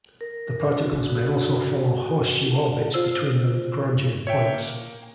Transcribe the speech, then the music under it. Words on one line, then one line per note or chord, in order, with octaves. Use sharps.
The particles may also follow horseshoe orbits between the Lagrangian points.
A#4
F#4
F#4
F4 C5 E6
C#5 E5 G5
A#3